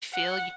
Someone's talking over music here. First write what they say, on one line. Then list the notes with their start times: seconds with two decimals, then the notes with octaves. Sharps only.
feel you
0.13 F#5